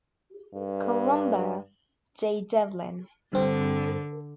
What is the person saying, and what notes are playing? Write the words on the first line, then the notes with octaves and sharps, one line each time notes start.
Columba J. Devlin.
G2
G2 D3 C4